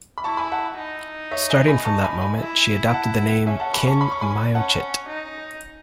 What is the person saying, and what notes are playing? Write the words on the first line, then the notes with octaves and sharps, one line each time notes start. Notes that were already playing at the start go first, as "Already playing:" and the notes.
Starting from that moment, she adopted the name, Khin Myo Chit.
B5
E4 A5 C#6
G#5 B5
F#5 A5
D#4
C#5 E5
E5 G#5
G#5 B5
A5 C#6
G#5 B5
G#5 B5
E4
F#5 A5
C#4 E5 G#5
F#5 A5
G#5 B5
A5 C#6
B5
C#6
G#5 B5
C#4 F#5 A5
D#4